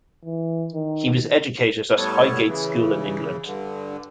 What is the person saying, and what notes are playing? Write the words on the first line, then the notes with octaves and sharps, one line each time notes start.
He was educated at Highgate School in England.
E3
D#3
A2 G3 B3 A4 C#5
C#3 E3
G2 D3